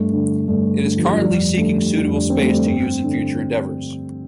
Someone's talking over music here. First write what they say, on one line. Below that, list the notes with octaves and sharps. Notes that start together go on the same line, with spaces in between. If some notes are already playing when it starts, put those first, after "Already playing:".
It is currently seeking suitable space to use in future endeavours.
Already playing: G2 A3
D3
G2 A3
D3
F3
G3
F3
F2 G3
D3 A3
F2 D4
D4
D3 C4
A3
G3
G2 C4
D3